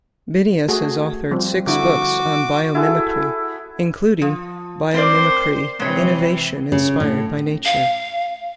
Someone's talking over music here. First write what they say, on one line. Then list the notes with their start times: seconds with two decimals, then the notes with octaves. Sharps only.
Benyus has authored six books on biomimicry, including "Biomimicry: Innovation Inspired by Nature".
0.68 A3 F#4 G#4
1.31 F3 G3 C4
1.67 D3 E4 F#4 D6
2.75 E4 F#4 G#4 A4
4.22 F3
4.94 C4 A#4 C5 D5
5.80 C3 E3 G#3 C#5
6.72 C#3
7.00 A2
7.65 F5